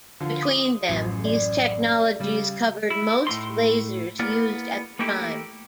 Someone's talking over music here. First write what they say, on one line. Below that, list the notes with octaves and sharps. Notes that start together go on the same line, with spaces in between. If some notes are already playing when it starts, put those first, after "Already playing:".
Between them, these technologies covered most lasers used at the time.
D3 F3 F4
D6 D#6
A1 F#2
D5
C#3 G3
E4
A2 A3 D#4 C6
A#3 B3 E4 A#4 D5
A3 A#3 D#4 E4 G4